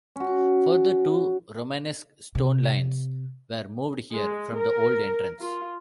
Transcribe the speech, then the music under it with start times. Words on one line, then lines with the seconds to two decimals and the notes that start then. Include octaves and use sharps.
Further, two Romanesque stone lions were moved here from the old entrance.
0.16 C#4 F#4
2.35 C3
4.12 G#3
4.54 A#4
5.41 F4